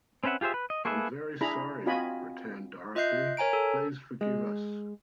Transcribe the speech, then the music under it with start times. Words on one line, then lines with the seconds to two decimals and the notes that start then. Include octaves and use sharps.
"I'm very sorry," returned Dorothy; "please forgive us."
0.24 C4 C#4 B4 E5 F#5
0.41 F4 G4 G#4 C5 E5
0.54 B4
0.70 D#5
0.85 A#3 G#4 A4 B4 E5
1.41 D4 E4 G#4 A#5 B5
1.86 C4 F4 F#4 D#5 G#5 B5
2.95 F4 D#5 E5 F#6 G6 C7
3.37 A#4 C#5 G#5 A#5 D7
3.53 A4
4.21 G#3